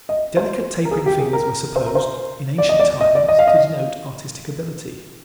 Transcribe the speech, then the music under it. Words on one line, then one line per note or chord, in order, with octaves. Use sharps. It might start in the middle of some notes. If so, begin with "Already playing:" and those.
Delicate tapering fingers were supposed in ancient times to denote artistic ability.
D#5
C5
A#4
G#4
G4
G#4
A#4
C5
A#4
C5
D5
D#5
D5
D#5
D5
D#5
F5
D#5